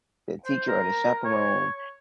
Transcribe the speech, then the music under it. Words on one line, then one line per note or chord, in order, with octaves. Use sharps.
the teacher or the chaperone
C5
A#4
C#5